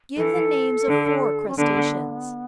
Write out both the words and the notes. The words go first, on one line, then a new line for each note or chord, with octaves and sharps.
Give the names of four crustaceans.
E3 A4
D3
C#4
D3 B3